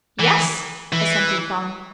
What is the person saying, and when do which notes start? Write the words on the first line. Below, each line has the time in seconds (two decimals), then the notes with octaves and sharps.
"Yes," assented Thong.
0.20 E3
0.92 E3